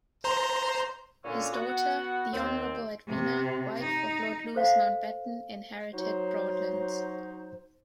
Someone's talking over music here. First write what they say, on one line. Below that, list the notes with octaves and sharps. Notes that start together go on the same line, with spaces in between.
His daughter, the Honourable Edwina, wife of Lord Louis Mountbatten, inherited Broadlands.
C5 A#5 C6
A#2 D3 C#4
B3 F#4 F#5
D#2 C4
C3
D#4
A4 C5 F5
F#3 D#4 C5